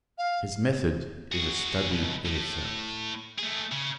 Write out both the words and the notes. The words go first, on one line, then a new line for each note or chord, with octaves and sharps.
His method is a study in itself.
F5
F#4 G#4
C#2 B2
A2
A3 G#4
C#3